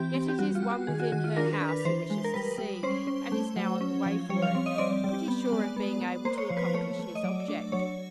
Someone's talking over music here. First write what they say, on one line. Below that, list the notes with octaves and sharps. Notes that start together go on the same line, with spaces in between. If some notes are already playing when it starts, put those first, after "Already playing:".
Yet it is one within her house he wishes to see, and is now on the way for it, pretty sure of being able to accomplish his object.
Already playing: E3 C4 G4
C4
G4
G3 F#4
F4
G3
F#4
D#3 G#4
F#4
D#3 F#4
F4
D4 A#4
B4
D4
B4
E3 C5
G#3
A#4
G3 B4
G3
C#4 C5
C#4
A3
F#3
C#4
F3
G3 C#5
F5
C4
D#5
C4 D5
G3
B3
G#3
B3
B3
A#3 C5
C#5
F3 C5
B4
C5
A3 C#5
A3
D#5
F#3 D5
D4
F#3 C#5